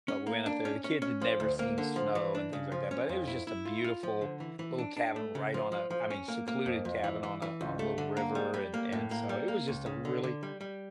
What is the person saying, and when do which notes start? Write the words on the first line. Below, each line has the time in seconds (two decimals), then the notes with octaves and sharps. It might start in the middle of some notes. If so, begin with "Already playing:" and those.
But we went up there, the kids had never seen snow and things like that, but it was just a beautiful little cabin right on a I mean, secluded cabin on a on a little river, and and so it was just a really,
0.08 C#4
0.27 A#3
0.46 D4
0.65 C#4
0.84 C#4
1.02 C#4
1.21 F3
1.40 D2
1.59 A#3
1.78 D3
1.96 F3
2.15 E3
2.35 D4
2.53 C#3
2.72 F3
2.91 C#4
3.09 F2
3.27 E4
3.47 E4
3.65 F4
3.84 F4
4.03 F3
4.21 D3
4.40 E3
4.59 E3
4.78 D4
4.97 D4
5.16 A3
5.35 C#3
5.54 F3
5.72 F3
5.91 F3
6.10 C#4
6.28 A#3
6.48 A#3
6.66 F2
6.85 F2
7.04 E3
7.23 E3
7.42 E3
7.61 C#2
7.79 A3
7.98 D3
8.17 A#3
8.35 G3
8.54 G3
8.74 A#3
8.92 A2
9.11 A#3
9.29 G3
9.48 A#3
9.68 C#2
9.86 C#3
10.05 D3
10.23 D3
10.43 G3
10.61 G3